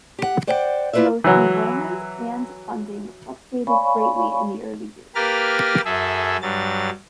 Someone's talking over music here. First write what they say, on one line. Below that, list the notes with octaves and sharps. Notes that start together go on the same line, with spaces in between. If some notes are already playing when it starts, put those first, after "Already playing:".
Both enrollment and funding fluctuated greatly in the early years.
G4 F#5
C5 D5 F#5 G5
A#3 E4 F4 B4 D5 E5
E3 F#3
C#5 D5 F5 G#5 B5 C#6
A#3 G4 A#4 B4 F6 A6
F#2 G#4 A4 E5
G2 F#3 A6